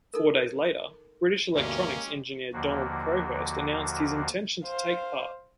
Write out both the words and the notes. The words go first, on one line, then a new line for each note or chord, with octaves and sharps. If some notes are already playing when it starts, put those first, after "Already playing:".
Four days later, British electronics engineer Donald Crowhurst announced his intention to take part.
D#4 A4 A#4
D2 G2 B2 G#3 A#3 C#4 G4
D#2 D3 F3 A#3 F#4
C5 F5